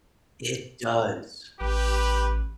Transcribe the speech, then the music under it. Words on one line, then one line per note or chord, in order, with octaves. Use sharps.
It does.
A1 G4 B4